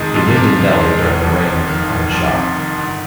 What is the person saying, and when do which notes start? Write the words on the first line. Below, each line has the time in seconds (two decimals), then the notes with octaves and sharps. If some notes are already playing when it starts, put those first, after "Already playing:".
He lived in Delhi during the reign of Muhammad Shah.
Already playing: F2 C3 D#3 G#3
0.15 F2
0.36 C3
0.58 D#3
0.80 G#3
1.01 F1
1.24 F2
1.45 C3
1.67 D#3
1.90 F1
2.11 F2
2.33 C3
2.56 D#3
2.77 G1